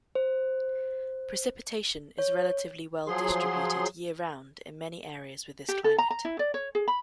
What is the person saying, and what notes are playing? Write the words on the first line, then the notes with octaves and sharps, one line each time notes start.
Precipitation is relatively well distributed year-round in many areas with this climate.
C5
C#5
F3 F#3 G#4 C6
G4
A4
A#5
A#5
E4
D5
C#5
G#4
B5